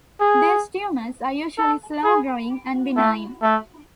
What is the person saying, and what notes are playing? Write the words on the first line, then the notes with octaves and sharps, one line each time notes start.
These tumors are usually slow growing and benign.
G#4
A4
G#4
A3
A3